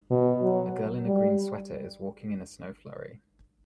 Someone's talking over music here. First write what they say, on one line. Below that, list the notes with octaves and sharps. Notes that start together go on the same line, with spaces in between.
A girl in a green sweater is walking in a snow flurry.
B2
F#3
G3